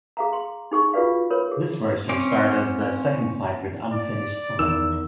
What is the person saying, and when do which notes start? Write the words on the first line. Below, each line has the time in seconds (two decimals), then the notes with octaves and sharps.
This version started the second side with "Unfinished Song".
0.17 G#4 F5 A#5
0.33 C6
0.71 D#4 G#4 C#6
0.94 F4 F#4 G#4 B4 D5 F5
1.30 A#4 B4 C#5 B5
1.51 G#4
2.09 C4 C#4 D6
3.92 D5
4.59 E2 D#3 E6